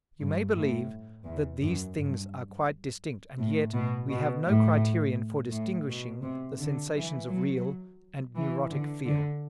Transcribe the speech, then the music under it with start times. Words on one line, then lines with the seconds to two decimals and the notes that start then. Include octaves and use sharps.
You may believe that these things are quite distinct and yet we have no criterion for distinguishing the sensations of real and neurotic fear.
0.20 G2
0.55 A2
1.25 E2
1.61 F#2
1.97 G2
3.38 A2
3.75 B2
4.10 B2
4.45 A2
5.51 A2
5.88 B2
6.23 C3
6.59 D3
6.94 E3
7.29 F#3
8.35 E3
8.71 D3
9.06 D3